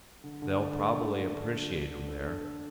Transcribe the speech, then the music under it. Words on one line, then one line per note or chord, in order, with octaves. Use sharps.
They'll probably appreciate him there.
D3
D3
D4
A3
D3
D4
D3
D3
D4
D3
A4
D4
A4